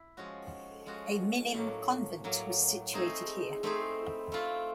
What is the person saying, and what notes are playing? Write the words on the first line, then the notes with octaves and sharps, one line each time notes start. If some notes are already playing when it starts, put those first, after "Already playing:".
A Minim convent was situated here.
Already playing: E4
F3 G#3 C#4 F#4
F3 G#3 C#4 F#4
A2 F#3 A#3
A2 F#3 A#3
A3 C4 D#4 G#4 C5
A3 C4 D#4 G#4 C5
A3 C4 F4